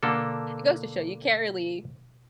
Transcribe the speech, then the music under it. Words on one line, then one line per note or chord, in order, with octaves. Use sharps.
it goes to show you can't really
B2 D3 A#3 A4